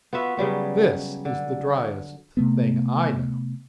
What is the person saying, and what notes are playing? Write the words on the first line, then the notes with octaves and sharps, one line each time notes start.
This is the driest thing I know.
B3 F4 F#4 E5
C#3 F#3 G3 B3
D3
C3 A3 B3